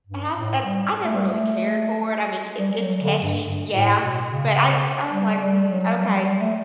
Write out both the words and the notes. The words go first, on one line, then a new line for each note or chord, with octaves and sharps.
I have eh I never really cared for it, I mean, i it's catchy, yeah, but I I was like, "Mm, okay."
G2
A2
G3
A3
G3
A3
G3
G3
F#3
D3
G2
G2
A2
B2
C#3
G3
G3
F#3
G3
F#3
G3
A3